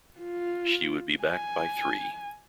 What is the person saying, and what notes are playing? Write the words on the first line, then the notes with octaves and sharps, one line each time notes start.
She would be back by three.
F4
G#5